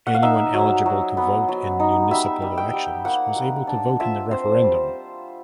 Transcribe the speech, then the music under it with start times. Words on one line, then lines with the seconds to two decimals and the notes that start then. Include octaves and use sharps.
Anyone eligible to vote in municipal elections was able to vote in the referendum.
0.07 F#5
0.14 F5
0.23 D#4 E5
0.54 F#3
0.86 F#3
1.17 B3
1.49 F#3
1.80 D#4
2.11 G3 E5
2.42 G3
2.58 G5
2.73 G3
3.05 A#3 F#5
3.36 G3
3.67 D4
4.00 F4 E5
4.31 C4 C5
4.62 G3